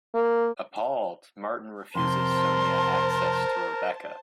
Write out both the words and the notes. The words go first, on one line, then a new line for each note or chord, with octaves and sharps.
Appalled, Martin refuses Sonia access to Rebecca.
A#3
F2 C3 A#4 C5 A5 C6